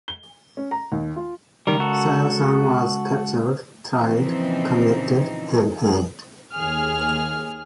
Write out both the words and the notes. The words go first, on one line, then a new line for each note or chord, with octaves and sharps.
Saya San was captured, tried, convicted and hanged.
G7
C#4
A#5
D#2
F4
C#2 D#3 G3 A#4
F#4 A4
A#2 C#3 E3 F3 C4 D#4
D#2 G#4 F6